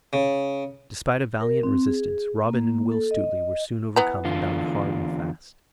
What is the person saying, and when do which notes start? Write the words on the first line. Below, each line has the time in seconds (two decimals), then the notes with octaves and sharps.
Despite a valiant resistance, Robin and Will Stuteley were soon overcome and bound hard and fast.
0.13 C#3
1.41 A#4
1.63 C4
1.87 G#4
2.45 A#3
2.92 A4
3.11 D#5
3.96 E3 B3 A#5
4.25 E2 D3 F4